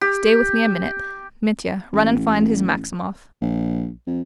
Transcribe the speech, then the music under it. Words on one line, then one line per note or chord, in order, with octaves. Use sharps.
"Stay with me a minute. Mitya, run and find his Maximov."
G4
A1
A#1
F2